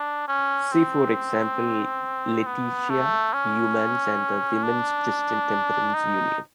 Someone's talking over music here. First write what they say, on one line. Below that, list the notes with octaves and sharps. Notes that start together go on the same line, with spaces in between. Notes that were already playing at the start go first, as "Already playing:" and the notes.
See for example Letitia Youmans and the Women's Christian Temperance Union.
Already playing: D4
C#4
C4
B3
A3
C#4
D4
D#4